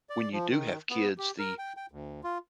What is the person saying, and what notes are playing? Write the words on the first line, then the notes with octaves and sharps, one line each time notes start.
when you do have kids, the
D5
F3
D#3
B3
G4
A#4
G5
G5
D2
F4